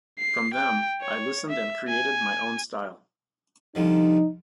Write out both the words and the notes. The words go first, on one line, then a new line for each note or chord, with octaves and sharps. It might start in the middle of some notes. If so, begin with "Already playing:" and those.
From them, I listened and created my own style.
C7
G5
C#5
E5
G#5
C2 D3 F3 D#4